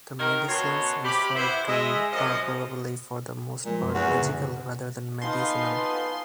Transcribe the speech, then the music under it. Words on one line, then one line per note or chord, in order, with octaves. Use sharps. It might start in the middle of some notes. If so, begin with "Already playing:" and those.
The medicines referred to are probably for the most part magical rather than medicinal.
D#3 A#4
F#2 B2 F#4 C#5 A5 C6
C3 G4 B5
B3 E4 C5
G#3 D#5 E5
F#2 F3 D#5
A#2 F3 G3 G#3
F#2 C6
E2 F#4
A#2 C#3
B3 D#4 F4 B4 F5 G#5 A5 C6